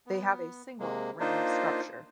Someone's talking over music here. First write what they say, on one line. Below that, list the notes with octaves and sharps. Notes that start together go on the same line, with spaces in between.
They have a single ring structure.
B3
C3 G#3 A#3
A#3 D4 D#4 F4 C5